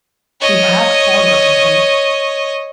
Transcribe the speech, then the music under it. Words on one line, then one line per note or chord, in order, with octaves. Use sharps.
He had forgotten him.
C#5 D#5